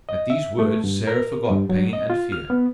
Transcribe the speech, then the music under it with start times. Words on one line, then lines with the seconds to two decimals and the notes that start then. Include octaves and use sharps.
At these words Sarah forgot pain and fear.
0.09 D#5
0.30 E5
0.59 A3
0.84 G2
1.07 A#4
1.50 G2
1.69 F#3
1.93 D#5
2.10 F4
2.32 F6
2.50 B3